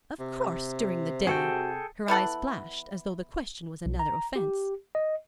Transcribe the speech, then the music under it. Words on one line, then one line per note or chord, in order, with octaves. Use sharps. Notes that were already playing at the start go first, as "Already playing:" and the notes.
"Of course, during the day." Her eyes flashed, as though the question was another offence.
C3
F#4 G#4 A4 G5
E3 B3 A4 F#5
B1
A#5
G4
D#5